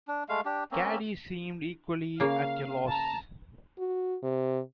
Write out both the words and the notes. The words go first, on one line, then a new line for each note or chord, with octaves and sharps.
Caddy seemed equally at a loss.
D4
G#3 A3 F5
D4 G4
A#3 C4 C#4
C#3 A#3 F5
A5 A#5
F#4
C3